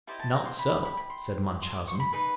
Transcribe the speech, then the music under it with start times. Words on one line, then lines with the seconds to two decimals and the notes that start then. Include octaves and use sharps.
"Not so," said Munchausen.
0.07 E4 G4 C5 D#5 A5
0.20 A5
0.33 A#5
0.45 C6
0.59 B5
0.85 B5
0.97 B5
1.10 C6
1.62 C6
1.74 D6
1.88 C#6
1.95 C6
2.00 B5
2.13 D#4 G#4 B4